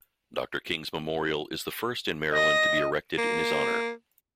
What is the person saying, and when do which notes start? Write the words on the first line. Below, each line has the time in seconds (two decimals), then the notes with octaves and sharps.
Doctor King's memorial is the first in Maryland to be erected in his honor.
2.34 D#5 A#6
3.18 A#3